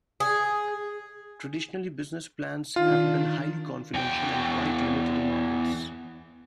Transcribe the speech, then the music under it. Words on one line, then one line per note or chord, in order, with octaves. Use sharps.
Traditionally business plans have been highly confidential and quite limited in audience.
G#4
D#3 D4 F4
E2 G5